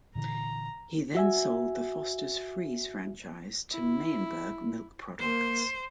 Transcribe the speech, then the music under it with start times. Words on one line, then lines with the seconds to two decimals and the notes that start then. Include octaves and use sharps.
He then sold the Fosters Freeze franchise to Meyenberg Milk Products.
0.15 A#2 D3 E3 A#5
1.15 F#4 E5 G#5
3.71 E4
5.19 A#3 C5